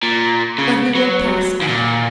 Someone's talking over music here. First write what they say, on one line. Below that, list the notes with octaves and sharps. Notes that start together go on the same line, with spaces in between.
But we will pass on.
A#2
C#3
F#3
G#2
A#2